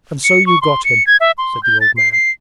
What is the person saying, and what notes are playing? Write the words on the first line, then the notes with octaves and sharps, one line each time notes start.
'And so you got him!' said the old man.
C#7
C#6
C6
C#7
G#6
E5
C6
G6
A6
C7
C7